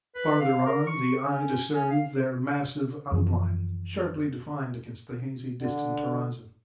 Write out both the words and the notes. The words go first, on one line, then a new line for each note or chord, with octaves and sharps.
Farther on the eye discerned their massive outline sharply defined against the hazy distant horizon.
B4
F5
A#4
C#6
C#4
C#4
F5
F#2 E3 F3
D3